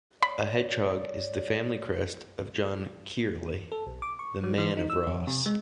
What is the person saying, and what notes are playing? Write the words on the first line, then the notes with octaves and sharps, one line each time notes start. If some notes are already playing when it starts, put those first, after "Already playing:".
A hedgehog is the family crest of John Kyrle, the "Man of Ross".
C#5 D5 B5
A4
B1
D6
C#6
F#3
E3
D#4
E6
F2
C3
G#3